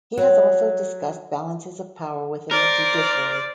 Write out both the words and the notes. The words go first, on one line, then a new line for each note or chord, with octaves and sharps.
He has also discussed balances of power within the judiciary.
F#3
A#4 C5 D5